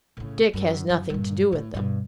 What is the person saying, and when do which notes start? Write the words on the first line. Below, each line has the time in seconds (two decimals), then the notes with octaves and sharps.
Dick has nothing to do with them.
0.17 A2 C#3
0.53 F#2
0.89 F#2
1.10 G2 A#2
1.52 A2
1.74 G2 B2